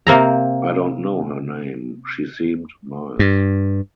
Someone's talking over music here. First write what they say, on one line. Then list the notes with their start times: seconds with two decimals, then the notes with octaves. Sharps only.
I don’t know her name. She seemed nice.
0.07 C3 A#3 C4 A#5
3.19 G2